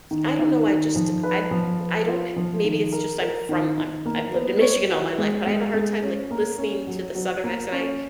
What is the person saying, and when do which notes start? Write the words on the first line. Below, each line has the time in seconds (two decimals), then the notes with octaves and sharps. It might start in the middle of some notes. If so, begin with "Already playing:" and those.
I don't know, I just I I don't maybe it's just I'm from I'm I've lived in Michigan all my life, but I have a hard time, like, listening to the southern accent. I
0.11 D#3
0.39 D#3
0.67 D#3
0.96 F3
1.23 B4
1.51 F3
1.80 B4
2.08 F4
2.36 F3
2.64 D#3
2.92 A#4
3.21 A#4
3.49 D#3
3.78 D#3
4.06 A#3
4.33 B3
4.61 C#5
4.90 F#4
5.18 G#3
5.46 G#3
5.74 G#3
6.03 C#4
6.31 A#3
6.58 C#4
6.87 F#3
7.15 F#3
7.44 A#3
7.72 C#4